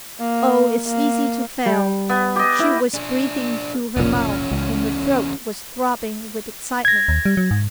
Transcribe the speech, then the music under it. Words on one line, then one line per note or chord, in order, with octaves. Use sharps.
"Oh, it's easy to fail!" She was breathing through her mouth and her throat was throbbing with excitement.
A#3
A#3
G3
B3
G4 D#5
E4
D4 G#4
F1 B1 E2 A#2 C#4
C#2
G#6 A#6
D#2
G3
F#3
G#2